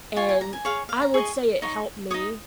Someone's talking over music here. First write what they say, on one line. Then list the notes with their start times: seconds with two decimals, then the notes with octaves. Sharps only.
and I would say it helped me
0.16 F4 C#5 G#5
0.29 G#5
0.41 A#5
0.53 G#5
0.65 G#4 C#5 F5
0.89 F5
1.02 A#5
1.14 G#4 D#5 C#6
1.62 D#4 C#5
2.11 D#4 C#5 D#6